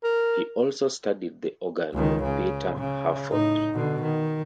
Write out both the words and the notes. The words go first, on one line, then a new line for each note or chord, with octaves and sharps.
He also studied the organ with Peter Hurford.
A#4
C#2 D#3
C#3
C#3
A2 D#4
B2 D3
D#3